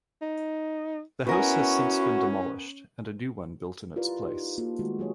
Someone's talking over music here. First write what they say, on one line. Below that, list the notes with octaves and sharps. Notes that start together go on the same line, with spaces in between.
The house has since been demolished, and a new one built in its place.
D#4
B3 C#4 E4 F#4 A#4 G#5
E4 F4 G4 A#4 B4 D5
D#4 G4
A#3 F4 F#4 A4
D#3 G#3 A3 F#4
F#3 G4 G#4 C#5